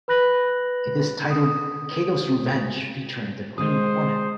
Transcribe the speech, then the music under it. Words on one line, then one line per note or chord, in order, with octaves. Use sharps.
It is titled "Kato's Revenge Featuring the Green Hornet".
B4 B5 F#6 A#6 F#7
D#6
G#3 G#4 C5 D#6